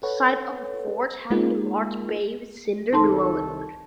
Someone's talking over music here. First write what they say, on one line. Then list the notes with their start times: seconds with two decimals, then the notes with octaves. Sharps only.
The site of a forge having a large bay with cinder below it.
0.03 A4 B4 C#5 F#5
1.30 G#3 A#3 D#4 F4 G#4 A#4
2.93 C2 D#3 D#4 A4 A5 C6